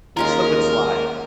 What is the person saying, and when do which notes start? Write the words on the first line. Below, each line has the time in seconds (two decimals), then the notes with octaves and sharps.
a Slip 'N Slide
0.17 D#2 G#3 C#4 F4 A#4